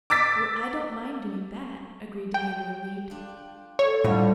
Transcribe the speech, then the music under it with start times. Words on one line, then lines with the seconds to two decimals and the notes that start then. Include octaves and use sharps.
"Well, I don't mind doing that," agreed Diana, relieved.
0.10 D6 E6 A6 B6
2.34 G5
3.10 D4 F4
3.79 A4 C#5
4.04 A2 D3 F3 G3 C5 A#5